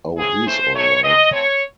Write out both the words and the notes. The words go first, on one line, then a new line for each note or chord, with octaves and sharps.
Oh, he's all right.
C#3 E3 C4 G#4
C#3 E3 A3 C5
D#3 A3 C4 C#5
D#3 G#3 C4 D#5
A2 E3 A3 C4 C#5